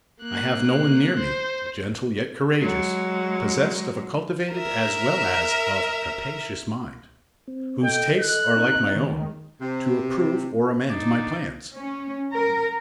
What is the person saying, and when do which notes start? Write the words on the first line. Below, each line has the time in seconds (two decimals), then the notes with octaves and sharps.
I have no one near me, gentle yet courageous, possessed of a cultivated as well as of a capacious mind, whose tastes are like my own, to approve or amend my plans.
0.21 A#3 F#6
1.19 C5
2.60 F#3 G#3
4.53 A#4 E5
7.48 C4
7.83 A4 D#5 G5
8.20 F#6
8.56 C4 D#4
8.95 D#3 G#3
9.62 C3
10.90 D4 D#4
11.77 C#4
12.35 A#4